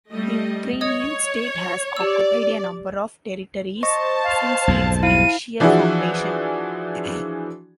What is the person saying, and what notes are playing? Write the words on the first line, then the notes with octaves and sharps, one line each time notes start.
The Ukrainian state has occupied a number of territories since its initial foundation.
G3 A3 D#5
C#5 D#5 D#6 G#6
G4 D5 E6
C5 D#5 A5 C#6
F5
B1 F2 G#2
E4 F5 D#7
E3 F3 D4 E4 F#4 G#4